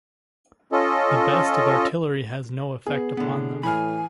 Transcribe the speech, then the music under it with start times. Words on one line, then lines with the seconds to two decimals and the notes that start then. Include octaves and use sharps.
The best of artillery has no effect upon them.
0.72 C#4 F4 A4 D#5
2.86 B3 G#4
3.17 A2 D3 B3
3.63 A2 E3 G#5 B5 F6